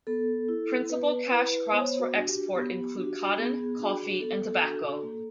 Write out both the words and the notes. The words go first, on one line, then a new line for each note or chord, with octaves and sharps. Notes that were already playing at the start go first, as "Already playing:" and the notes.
Principal cash crops for export include cotton, coffee, and tobacco.
B3 A4
E4
B3 B4
E4 B4
B3 C5
C#5
C5
F#4
D4 F#4
G4
B3
D4 F#4
B3 G#4
D4 F#4
B3 A4
D4 F#4
A#3